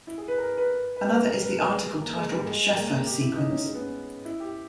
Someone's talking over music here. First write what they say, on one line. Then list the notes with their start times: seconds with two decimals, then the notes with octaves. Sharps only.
Another is the article titled Sheffer sequence.
0.07 E4
0.18 G#4
0.28 B4
0.38 A#4
0.58 B4
0.96 B4
1.12 A#4
1.26 A#4
1.42 B4
1.57 A#4
1.71 G#4
1.86 G4
2.02 A#3
2.17 G#3
2.32 G3
2.46 G#3
2.76 A#3
2.91 G#3
3.06 G4
3.21 E4
3.35 D#4
3.51 C#4
3.65 G#3
3.74 B3
3.80 C#4
4.25 E4
4.40 G4